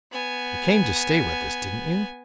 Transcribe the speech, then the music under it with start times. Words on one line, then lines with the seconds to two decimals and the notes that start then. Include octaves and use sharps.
"You came to stay with us, didn't you?"
0.12 B3 G#5